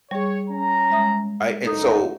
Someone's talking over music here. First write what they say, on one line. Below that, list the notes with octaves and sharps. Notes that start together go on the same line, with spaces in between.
I and so,
G3 G#4 C#5
C#4 A#5
G#3 E5 D#6
F#1 A#3 D#4 A4 D#6